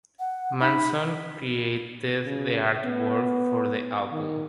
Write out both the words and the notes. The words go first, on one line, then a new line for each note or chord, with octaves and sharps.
Manson created the artwork for the album.
F#5
D#4 B5
C#3
B3
D#3